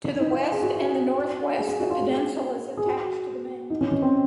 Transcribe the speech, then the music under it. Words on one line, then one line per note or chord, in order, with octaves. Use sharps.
To the west and the northwest the peninsula is attached to the mainland.
D#4
F4
G#4
F#4
G#4
G#4
F#4
F4
G#4
G#4
F#4
D#4
C#4
C#4
C4